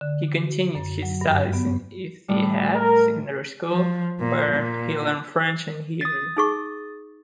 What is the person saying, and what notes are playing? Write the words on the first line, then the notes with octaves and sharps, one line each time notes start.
He continued his studies in Ettehad secondary school, where he learned French and Hebrew.
D3
D3
F#4
F#2
F#3
G2
B3
A2 G3
A#4
F3
A#2
A#2
D#6 A6
D#4 G#4 C#6